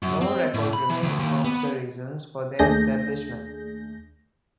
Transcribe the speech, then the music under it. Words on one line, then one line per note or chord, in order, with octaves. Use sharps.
No record remains of the reasons for their establishment.
F#2
C4
A2
B5
E3
D2
D#2
B3
D#2 A3 D4 G#4 G6 A#6